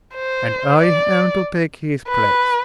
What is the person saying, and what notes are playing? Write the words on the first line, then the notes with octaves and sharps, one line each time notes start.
"And I am to take his place."
C5
D5
B4